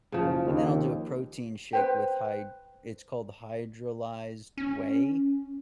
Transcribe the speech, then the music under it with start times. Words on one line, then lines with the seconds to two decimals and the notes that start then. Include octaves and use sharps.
and then I'll do a protein shake with hy It's called hydrolyzed whey,
0.12 F#1 C#3 F3
0.46 D#2
1.73 B4 C5 G5
4.58 C#4